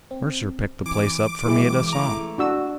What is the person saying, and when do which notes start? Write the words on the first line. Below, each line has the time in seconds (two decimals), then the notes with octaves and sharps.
Mercer picked the place up for me at a song.
0.11 C4
0.86 E3 D6
1.45 C3 E3 F#3 G#3 E4 A#4
1.93 A3 A#5
2.38 D4 F#4 E6